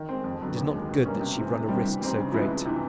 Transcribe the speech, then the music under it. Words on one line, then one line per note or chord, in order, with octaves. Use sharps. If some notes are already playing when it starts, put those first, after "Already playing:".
It is not good that she run a risk so great.
Already playing: D#3
G#3 C4
F2
D3 F#3 B3
D#2
D#3 G#3
B2
G3 A#3 C#4
C3
E3 G#3 C4
C3
D#3 G3 C4
E3
G3 C4 D#4
C#3
F3 G#3 B3 E4
C2
C3 E3